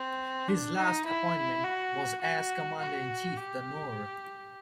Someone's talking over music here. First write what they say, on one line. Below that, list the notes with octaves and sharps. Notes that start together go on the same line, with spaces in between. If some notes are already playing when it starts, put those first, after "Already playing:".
His last appointment was as Commander-in-Chief, The Nore.
Already playing: C4
D4
D#4
E4
F#4
F#4
F#4
G4